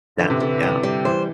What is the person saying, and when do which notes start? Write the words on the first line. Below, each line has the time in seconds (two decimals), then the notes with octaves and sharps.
That Yeah.
0.19 D3 E3
0.30 C3
0.40 D3 E3
0.63 G3
0.83 G3
1.05 E3 C5